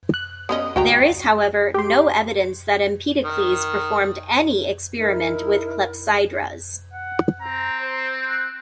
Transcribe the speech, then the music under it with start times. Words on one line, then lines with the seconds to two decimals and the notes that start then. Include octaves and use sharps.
There is however, no evidence that Empedocles performed any experiment with clepsydras.
0.14 F#6
0.49 B3 C#4 D#5
0.76 D2 F#4 G5 A#5
1.74 G4 C6
3.24 D#3
4.99 D#4 E4 A#4
6.93 F#5
7.41 C4 A#5
7.81 C5
8.28 F#6